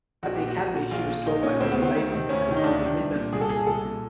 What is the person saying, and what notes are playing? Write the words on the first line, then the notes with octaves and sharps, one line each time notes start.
At the Academy she was taught by Lord Leighton and won three medals.
A#1 F#4
A#2 G4
F#4
A#1
A#2
A#1 F4
A#2
A#1 D#4
A#2 C#4
D2 C4
B3
C3 D#3 C4
D2
C3 D#3
D2 C#4
C3 D#3
D#4
D2 D4
C3 D#3
C2
A#2
C2 G#4
A4
A#2 G#4
C2 A4
A#2